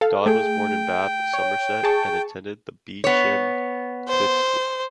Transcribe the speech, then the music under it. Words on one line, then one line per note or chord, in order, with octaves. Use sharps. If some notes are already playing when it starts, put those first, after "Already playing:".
Dodd was born in Bath, Somerset and attended the Beechen Cliff School.
A4 F5
A3 G#4 G5
C#5
G#4 A5 C#6
B3 C#5
C5